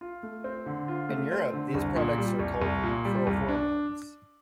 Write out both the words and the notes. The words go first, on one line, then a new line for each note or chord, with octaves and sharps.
In Europe these products are called prohormones.
F4
A3
C4
D3
F4
A3
C4
D3
C2
A#2
G3
C2
C2
A#2
G3
C2
D4